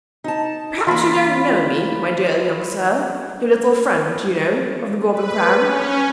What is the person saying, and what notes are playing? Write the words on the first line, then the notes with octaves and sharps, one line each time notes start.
"Perhaps you don't know me, my dear young sir--your little friend, you know, of the Golden Crown."
D#4 A5
E3 A#3 F4 B5
B4
C#4